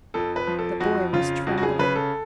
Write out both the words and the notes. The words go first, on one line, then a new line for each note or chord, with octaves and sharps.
The boy was trembling.
F2 A4
B4
F3
A4
F2 F#4
C#3 F4
F2 F#4
F#4
G#4
C#3 B4
A4